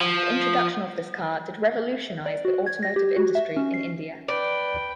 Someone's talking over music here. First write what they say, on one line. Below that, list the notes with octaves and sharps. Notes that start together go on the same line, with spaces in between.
The introduction of this car did revolutionize the automotive industry in India.
F3
D5
F#4
G#6
A#6
G4
F#4
E5
C#4
C7
B4 D5 G5